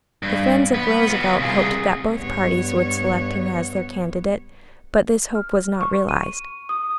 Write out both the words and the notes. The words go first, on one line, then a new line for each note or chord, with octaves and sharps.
The friends of Roosevelt hoped that both parties would select him as their candidate; but this hope was not realized.
G2
B3 B4
B3 F4
C2 G#4
G2 B3 C#5
F6
C#6
D#7
D#6